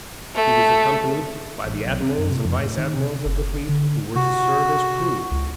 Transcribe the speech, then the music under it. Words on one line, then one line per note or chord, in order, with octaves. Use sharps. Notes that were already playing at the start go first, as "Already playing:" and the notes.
He was accompanied by the admirals and vice admirals of the fleet, who were to serve as crew.
A3
A1
B1
C4
F#2
C3
F2
A2
D#3
C3
F#1
D3
C3 F#4
C#2